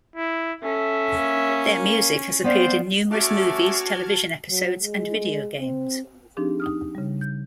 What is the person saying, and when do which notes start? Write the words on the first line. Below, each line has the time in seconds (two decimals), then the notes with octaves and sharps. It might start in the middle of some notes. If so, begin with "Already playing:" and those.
Their music has appeared in numerous movies, television episodes, and video games.
0.16 E4
0.63 C#4 A4 E5
1.18 A#3
2.44 B3 C4 C5 D5 F5
3.11 A3 C#4 F#4 A5 D6 F6 G#6
4.51 F#3
4.83 G#3
5.59 C4
6.37 F3 C4 D4 D#4 G4 G#4
6.60 D#4 D#6 F6
6.95 C#3 G3
7.21 G6